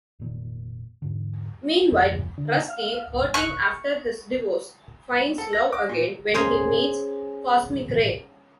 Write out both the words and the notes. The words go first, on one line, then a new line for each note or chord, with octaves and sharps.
Meanwhile, Rusty, hurting after his divorce, finds love again when he meets Cosmic Rae.
F1 A#2 D#3
E2 G#2 D3
F2
D3
F5
C#6 F#6
A4
A#6
D6
A#2
C#4 G#4 C5 G#5 A#5